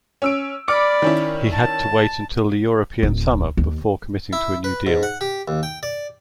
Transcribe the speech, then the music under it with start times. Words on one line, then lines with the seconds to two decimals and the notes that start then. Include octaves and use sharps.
He had to wait until the European summer before committing to a new deal.
0.22 C#4 E6 D7
0.68 D5 B5 D6 F6 C#7
1.02 D#3 C#4 E4
1.52 A5
3.03 D1
3.57 D#2
4.33 E4
4.64 B4
4.87 G#2
5.03 F#5
5.21 G4
5.48 D#2
5.63 G5
5.83 D5